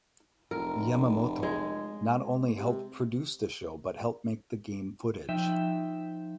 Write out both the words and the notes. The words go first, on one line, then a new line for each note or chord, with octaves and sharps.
Yamamoto not only helped produce the show but helped make the game footage.
F1 A#4
G#3
C3
F3 D#4 E5 G5